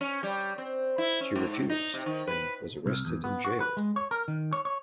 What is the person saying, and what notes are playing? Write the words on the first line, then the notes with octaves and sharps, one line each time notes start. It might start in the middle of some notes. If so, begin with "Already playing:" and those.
She refused, and was arrested and jailed.
C#4
G3
C4
E4
C#4
G#2
D#4
C3
D#3
B4
C2
E2
B3
F#4
B4
G#3
C#5
A#4
D#3
C#5
C#5